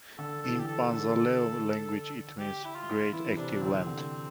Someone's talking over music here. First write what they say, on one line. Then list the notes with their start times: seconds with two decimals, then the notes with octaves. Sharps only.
In the Panzaleo language it means: Great active land.
0.18 D3 A4
0.43 E3 A4
0.55 D3 G4
0.67 A4
0.92 D3 A4
2.39 G4
2.65 E4
2.75 F4
3.13 E3 E4
3.30 E4
3.37 C3 D4
3.62 D3 C4
3.87 D3